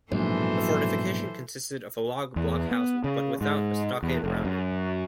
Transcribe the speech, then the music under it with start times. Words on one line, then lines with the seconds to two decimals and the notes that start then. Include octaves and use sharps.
The fortification consisted of a log blockhouse but without a stockade around it.
0.12 A#1 G#2 B2 E3 F#3 A4 C5
2.36 E2
2.71 B3
3.04 C#3
3.41 G#2
4.03 E2
4.24 F1
4.45 F#2